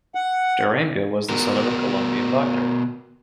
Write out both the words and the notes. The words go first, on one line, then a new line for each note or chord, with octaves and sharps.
Durango was the son of a Colombian doctor.
F#5
B3 F#4 A#4